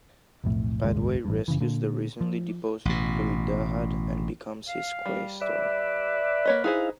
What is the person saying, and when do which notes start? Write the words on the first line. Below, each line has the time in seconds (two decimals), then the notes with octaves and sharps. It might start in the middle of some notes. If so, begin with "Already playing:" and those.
Padway rescues the recently deposed Thiudahad and becomes his quaestor.
0.44 B1 F2 A2
0.82 D#1 G#1 C#2 G#3
1.25 A1 G2
1.48 F#1 C#3 E3
1.60 A#2 D3
2.21 F3
2.85 A1 B2
4.69 F5
5.06 G3
5.42 B4 D5 E5
6.45 A#3 C#5 D#5
6.64 D#4 E4 G#4 C5 F5